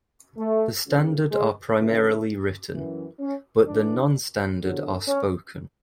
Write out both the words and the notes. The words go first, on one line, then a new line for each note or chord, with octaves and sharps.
The standard are primarily written, but the non-standard are spoken.
A3
C#2 C#3 E3
G#3
D2 C#3 E3 A3
F#2 E3
C#4
G#2 E3 D4
E2 D3 F#3
C#4